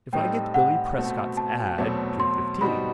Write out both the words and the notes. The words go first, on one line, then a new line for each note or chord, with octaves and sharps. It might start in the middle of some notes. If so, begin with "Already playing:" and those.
If I get Billy Prescott's ad: two fifteen.
A2 G3 C4 D#4 A4 G5
F#5
B2 A3 C4 F#4
A5
E2 B2 F#3 A3 C4
C6
B2 G3 C4 D#4 F#4 B5